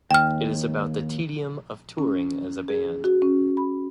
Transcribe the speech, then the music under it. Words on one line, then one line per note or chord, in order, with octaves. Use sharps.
It is about the tedium of touring as a band.
D#2 G5 F6
C#4
G#4
F#4
C#4
B5